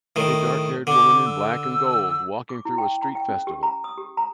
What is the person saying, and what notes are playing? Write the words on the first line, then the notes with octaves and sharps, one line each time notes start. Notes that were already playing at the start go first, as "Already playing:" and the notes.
A darkhaired woman in black and gold walking through a street festival.
A2 D#3
D3 D6
E6
D6
E4
G5
A#5
G5
C#4
G4
A#5
D#6
G4
A#5